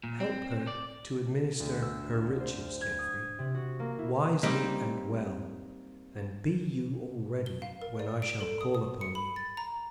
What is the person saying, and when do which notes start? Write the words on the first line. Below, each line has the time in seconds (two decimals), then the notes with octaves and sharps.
Help her to administer her riches, Geoffrey, wisely and well; and be you all ready when I shall call upon you.
0.04 A#2
0.20 C4
0.67 D5
1.60 D2
1.82 E6
2.13 F6
2.40 C5
2.81 G#6
2.99 D#6
3.39 C3
3.54 F#4
3.80 A#3
3.99 E4
4.43 G3 A#3 C4 D#4
7.46 G7
7.62 F5
7.82 A#4
7.99 D5
8.22 D7
8.41 A4
8.61 D#6
8.75 D#6
9.01 C#7
9.15 B5
9.36 A6
9.57 A#5